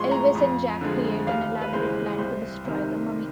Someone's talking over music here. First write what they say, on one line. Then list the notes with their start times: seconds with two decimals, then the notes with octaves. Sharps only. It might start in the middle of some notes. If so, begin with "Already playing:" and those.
Elvis and Jack create an elaborate plan to destroy the mummy.
Already playing: A2 F3 G#3 C6 C#6
0.11 A#5
0.35 F2
0.81 D3 F3 G#3
1.26 D#2 F5
1.62 B4
1.73 C#3 E3 G#3 C5
2.18 C2 C5
2.64 C3 D#3